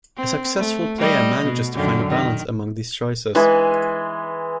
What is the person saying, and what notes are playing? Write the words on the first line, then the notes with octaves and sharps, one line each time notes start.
A successful player manages to find a balance among these choices.
C4
A3
G3 D#5
B2
F#2 D3 D#3
D#3
E3 G#3